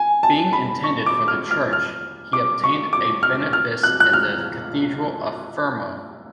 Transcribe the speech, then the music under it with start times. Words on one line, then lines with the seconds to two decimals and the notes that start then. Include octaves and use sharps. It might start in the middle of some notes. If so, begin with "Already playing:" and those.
Being intended for the Church, he obtained a benefice in the cathedral of Fermo.
Already playing: G#5
0.23 A5
0.53 B5
0.84 C#6
1.06 D6
1.28 F6
1.51 F6
1.73 F6
2.33 D6
2.64 C#6
2.93 D6
3.23 F6
3.53 F6
3.83 F#6
4.00 F#6
4.13 F6